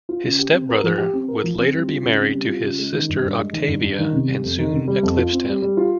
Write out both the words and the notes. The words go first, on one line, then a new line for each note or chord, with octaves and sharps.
His step-brother would later be married to his sister Octavia, and soon eclipsed him.
F4
C#3
G4
C4
A#4
F3
G4
C4
A#4
F3
C4
G3
F4
C#3
C4
G3
F4
C#3
G#3
D#3
G2
G2
G#3
D#3
G2
G2
D#3
C3
G3
F2
D#3
C3
G3
F2
F4
C4
G3
G3
F4